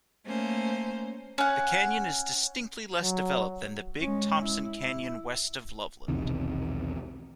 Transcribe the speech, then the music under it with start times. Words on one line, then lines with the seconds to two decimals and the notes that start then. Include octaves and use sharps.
The canyon is distinctly less developed than the Big Thompson Canyon west of Loveland.
0.23 A3 A#3 C#4 C5
1.38 C#4 F#5
3.02 F#3
4.00 G#3 C#4
4.46 E4
4.80 E4
6.08 B1 E2 C3 D#3